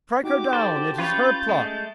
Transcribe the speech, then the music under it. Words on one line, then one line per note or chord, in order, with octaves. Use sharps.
Strike her down; it is her plot.
D#4 F#4 G4 D6
F#4 A4 C5 D5
C#4 F4 B4 C#5 G6 A6
G#3 A3